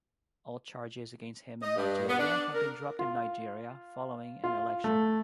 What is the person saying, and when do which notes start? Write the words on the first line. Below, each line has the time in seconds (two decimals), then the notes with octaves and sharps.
All charges against him in Nigeria had been dropped in Nigeria following an election.
1.62 D#5
1.76 G2
2.07 B3
2.19 D4
2.54 A#4
2.99 F4
4.44 F4
4.84 A3